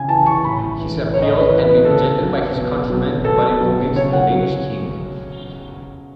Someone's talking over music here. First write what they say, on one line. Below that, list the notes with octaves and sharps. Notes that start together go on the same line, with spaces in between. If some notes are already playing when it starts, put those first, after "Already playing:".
His appeal had been rejected by his countrymen, but it convinced the Danish King.
Already playing: C#3 G#5
E3 A5
C#6
A2 B5
E3
A2 C#5
D#5
C#5
B4
E3
B4
C#3 A4
F#3
B2
F#3
B2 A4
F#3
C#3 C#5
F#5
F#3